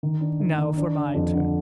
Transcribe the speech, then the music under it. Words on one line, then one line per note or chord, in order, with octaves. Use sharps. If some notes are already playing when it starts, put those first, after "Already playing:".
Now for my turn.
D#3
D4
D#3
D#3
D4
D3
F2
D3